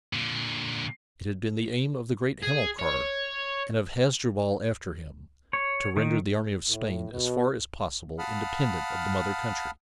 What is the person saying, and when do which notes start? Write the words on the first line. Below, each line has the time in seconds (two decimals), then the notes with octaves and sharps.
It had been the aim of the great Hamilcar, and of Hasdrubal after him, to render the army of Spain as far as possible independent of the mother country.
0.13 A#2 D3
2.42 G#4
2.79 C#5
5.53 C#5
5.97 D#3
6.71 A2
7.12 B2
8.19 F5 F#5 A5 B5 D#6 F6